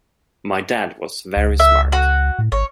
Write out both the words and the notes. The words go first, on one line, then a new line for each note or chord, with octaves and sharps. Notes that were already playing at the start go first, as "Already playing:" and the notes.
My Dad was very smart.
C#2
E5
F#4
A2
G#1 C#5